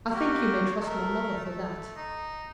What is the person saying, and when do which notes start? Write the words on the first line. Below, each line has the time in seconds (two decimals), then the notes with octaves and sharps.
'I think you may trust my mother for that.'
0.12 A#3 F#4 G4
0.80 A3 A#4
1.44 A3
1.96 D#4